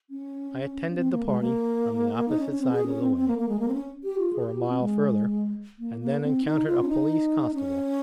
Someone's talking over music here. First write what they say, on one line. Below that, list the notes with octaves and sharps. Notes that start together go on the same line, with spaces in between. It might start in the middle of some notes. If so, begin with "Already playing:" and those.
I attended the party, on the opposite side of the way, for a mile further, and then encountered a Police-constable.
C#4
C#4
C4
A#3
G#3
A#3
D#4
C#4
C#4
C4
G#4
C#4
C4
C4
A#3
A#3
G#3
A#3
C4
C#4
G4
F4
G#4
G4
F4
C4
G#3
A#3
A#3
C4
D#4
F4
C#4
D#4
C#4